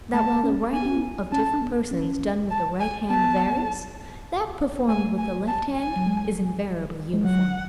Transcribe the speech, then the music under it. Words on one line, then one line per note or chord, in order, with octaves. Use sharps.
"That while the writing of different persons done with the right hand varies, that performed with the left hand is invariably uniform."
A3 A5
C#4
B3 G#5
C#4
B3
C#4 A5
B3
C#4
A5
G#5
B3 A5
A3 G#5
G#5
A5
G#5
F#3
G#3
G#3
F#3 F#5